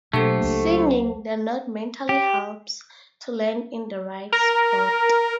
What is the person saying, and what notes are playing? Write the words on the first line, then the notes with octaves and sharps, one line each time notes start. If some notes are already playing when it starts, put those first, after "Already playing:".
"Singing" the note mentally helps to land in the right spot.
B2 F#3 A3 A#3 D4 G4 A4 C5
C#2 A#3
G4
A#4